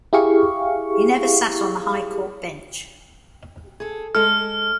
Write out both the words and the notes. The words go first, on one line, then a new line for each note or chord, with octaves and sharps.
He never sat on the High Court bench.
E4 G4 G#4 F5 C#6
G#4 A4
G#3 A4 F6